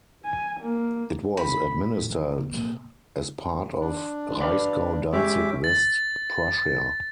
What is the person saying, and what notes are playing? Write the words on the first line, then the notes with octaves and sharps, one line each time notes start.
It was administered as part of Reichsgau Danzig-West Prussia.
G#5
A#3
B5
A1 F#3
D3
B3
C3 A#3
D4
B4 D5 F5
G#3 C#4 G4 E5 D6
A6